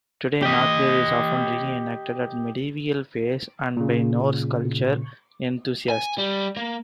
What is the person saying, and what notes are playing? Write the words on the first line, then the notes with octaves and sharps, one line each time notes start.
Today, knattleikr is often re-enacted at medieval fairs and by Norse culture enthusiasts.
G4 D#5
A#2 C#3
G#5
G3
A#3